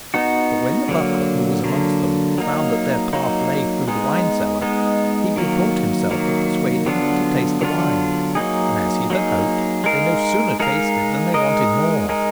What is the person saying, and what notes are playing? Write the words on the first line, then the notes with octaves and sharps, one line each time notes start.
But when the butler, who was amongst them, found that their path lay through the wine cellar, he bethought himself of persuading them to taste the wine, and, as he had hoped, they no sooner tasted than they wanted more.
B3 D#4 F#4
D3 F#3 A#3
D3 F#3 A#3
F#3 A#3 D#4
F#3 A#3 D#4
G#3 B3 D#4
G#3 B3 D#4
D#3 F#3 A#3
D#3 F#3 A#3
D3 F#3 B3 D4 F4
D3 F#3 B3 D4 F4
F#3 A#3 D#4 G#4
F#3 A#3 D#4 G#4
G#3 D#4 A#4 F5
G#3 D#4 A#4 F5
G#3 D#4 A#4 D#5
G#3 D#4 A#4 D#5